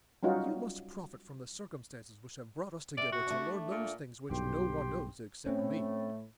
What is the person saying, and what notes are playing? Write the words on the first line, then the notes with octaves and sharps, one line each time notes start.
You must profit from the circumstances which have brought us together to learn those things which no one knows except me.
F#3 G3 C#4 D#4 F4 F#4
C3 D5
F#4
A3 D4
A#2
B1 G2 G4 G5 C6
A2 A3 C4 C#4